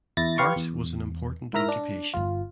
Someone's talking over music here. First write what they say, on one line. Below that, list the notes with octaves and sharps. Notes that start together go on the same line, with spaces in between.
Art was an important occupation.
E2 E4 A6 A#6
G4 B4 F5 C6 C#6
E2
G#2 E4 A#4 E5 F6 A#6
D4
G1 F4